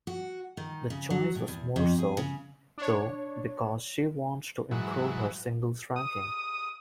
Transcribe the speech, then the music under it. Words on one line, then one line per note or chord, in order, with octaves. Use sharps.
The choice was more so, though, because she wants to improve her singles ranking.
F#4
D#3
C#3
F#3
A2
E2
F2
G#4
C#3
D4 C#5
G#2 E3 F#3
D#6